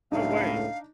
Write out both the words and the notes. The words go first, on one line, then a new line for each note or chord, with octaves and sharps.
No way.
C#2 A2 D4 D#4 F5